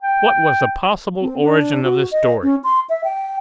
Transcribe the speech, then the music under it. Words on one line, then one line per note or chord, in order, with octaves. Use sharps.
What was the possible origin of this story?
G5
C4
D4
F#4
D#5
C#4
C6
E5
G5